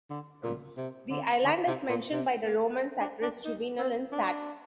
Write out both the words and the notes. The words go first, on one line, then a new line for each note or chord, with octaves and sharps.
The island is mentioned by the Roman satirist, Juvenal, in Sat.
D3
A#2
C3
D3
D3
C3
A#2
C3
A#3
C4
D4
D4
D#4
C4
D4